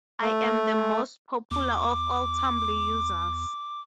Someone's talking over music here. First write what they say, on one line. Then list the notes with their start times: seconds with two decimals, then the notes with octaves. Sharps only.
I am the most popular of all Tumblr users.
0.22 A3
1.51 E2 D6